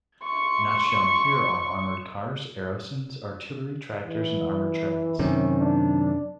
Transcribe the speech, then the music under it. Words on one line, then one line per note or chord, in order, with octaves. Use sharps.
Not shown here are armoured cars, aerosans, artillery tractors and armoured trains.
C6 C#6
E3
F#2 C3 D#3 C#4
D4